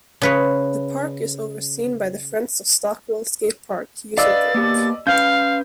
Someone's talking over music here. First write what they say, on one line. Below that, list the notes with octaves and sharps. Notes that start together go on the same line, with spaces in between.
The park is overseen by the Friends of Stockwell Skatepark user group.
C#3 B4 C#5
B4 D5 D#5 F5 E6 A6
A#3 B3 G4
C#4 B4 F5 G6